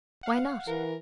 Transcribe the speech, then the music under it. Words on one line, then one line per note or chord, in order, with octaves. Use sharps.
"Why not?"
F5 F#5
E3 A#4